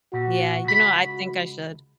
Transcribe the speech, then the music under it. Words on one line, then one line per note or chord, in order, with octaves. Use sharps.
Yeah, you know, I think I should.
A#2 F#4
C#2 B5